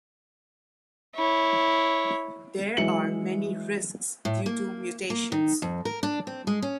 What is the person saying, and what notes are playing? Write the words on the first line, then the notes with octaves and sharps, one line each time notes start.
There are many risks due to mutations.
E4 C#5
E3 F#3 G#3 E5 C#7 F#7
A2
A#3
A#3
D#3
F2
A#4
D4
C4
G#3
C#4